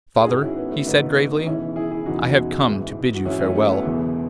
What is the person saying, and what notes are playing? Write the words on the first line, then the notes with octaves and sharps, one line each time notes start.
'Father,' he said gravely, 'I have come to bid you farewell.
G#4
G#1 G#2 D#3 D#4 F#4
C#4 E4
B3
A3 C#4
G#1 G#2 D#3 B3 D#4
D#4
E1 E2 C#3 E3 C#4 E4
E4 G#4
E4 G#4
E1 E2 C#3 E3 D#4 F#4
A1 G#2 E3
F#4
A1 G#2 E3 C#4 E4
A3 C#4
A3
B3
E1 E2 C#3 E3